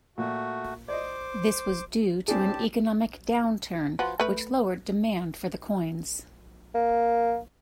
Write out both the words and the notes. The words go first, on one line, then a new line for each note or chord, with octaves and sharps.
This was due to an economic downturn which lowered demand for the coins.
A#2 A3 F#4
C5 D5 D#5 D6
A2 C4 D4 G4 G#4 A5
F3 F#4 B4
A3 B4
A#3